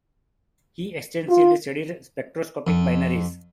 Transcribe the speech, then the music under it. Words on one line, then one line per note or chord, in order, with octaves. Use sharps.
He extensively studied spectroscopic binaries.
F4
F2